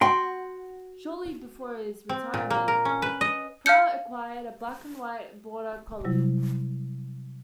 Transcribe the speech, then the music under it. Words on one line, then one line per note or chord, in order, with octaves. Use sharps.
Shortly before his retirement, Prout acquired a black and white Border Collie.
F#4 G5 C6
C4
A#2
A#3
A#4
C#4
B4
D#5
F5 F6 G6 C#7
C3 F#3 G3 E4